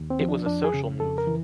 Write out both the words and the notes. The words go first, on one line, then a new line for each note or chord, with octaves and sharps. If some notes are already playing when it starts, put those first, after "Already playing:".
It was a social move.
Already playing: D#2
C4
F3
D4
F2 D4
G#4
C#3
F2 A4
A#4
E3